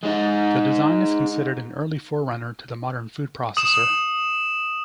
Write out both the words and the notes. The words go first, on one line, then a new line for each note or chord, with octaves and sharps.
The design is considered an early forerunner to the modern food processor.
G#3 D#4
D#6 E7